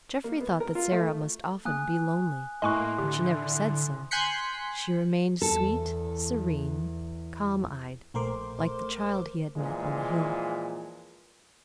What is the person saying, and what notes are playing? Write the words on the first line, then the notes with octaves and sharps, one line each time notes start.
Jeffrey thought that Sara must often be lonely, but she never said so; she remained sweet, serene, calm-eyed, like the child he had met on the hill.
A#3
B3
A#4
F4
A3
A#3 G#5 D#6 F#6
A2 A#3 D#5 G#5 C6 C#6 D#6 F#6
D3 G4
G#5 C6 F#6 G6 B6 C#7
E2 A4
A#1 A3 A#4 C5 C6 D6
A#2 E3 F3 G#3